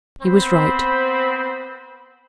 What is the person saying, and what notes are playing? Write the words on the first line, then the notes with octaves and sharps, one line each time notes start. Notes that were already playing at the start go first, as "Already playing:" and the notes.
He was right.
B3 C4 C5 B5